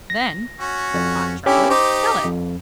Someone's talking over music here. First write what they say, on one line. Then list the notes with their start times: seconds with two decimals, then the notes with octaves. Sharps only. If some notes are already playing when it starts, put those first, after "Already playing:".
"Then," said Tot, sharply, "tell it!"
0.10 A#6
0.60 C#4 F#4
0.94 F2
1.46 D3 C#4 E4 G4
1.70 D#4 G4 C5 D6
2.25 F2